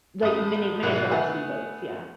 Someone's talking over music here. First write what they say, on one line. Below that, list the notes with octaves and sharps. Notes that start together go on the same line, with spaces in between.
Like mini miniature RC boats, yeah
A1 D#6
G#2 B2 F#3 A#3 E4
A3 B3 G#4 F#5